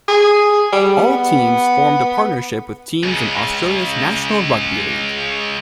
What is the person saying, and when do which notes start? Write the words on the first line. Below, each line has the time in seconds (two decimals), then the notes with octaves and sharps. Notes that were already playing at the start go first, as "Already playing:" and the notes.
All teams formed a partnership with teams in Australia's National Rugby League.
0.08 G#4
0.73 G3
0.97 B3
3.03 C#2 C#3